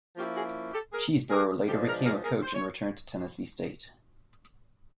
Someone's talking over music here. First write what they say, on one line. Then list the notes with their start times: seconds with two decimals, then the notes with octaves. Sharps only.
Cheeseborough later became a coach and returned to Tennessee State.
0.17 F3 A#3 C#4 E4 F4 G4
0.36 F#4 G#4
0.73 G4 A4
0.92 G#4 A#4
1.30 G#4 A#4
1.68 F3 G#3 B3 D4 G4 A4
1.87 G#4 A#4
2.05 G#4 A#4
2.24 G#4 A#4
2.43 C5
2.54 C#5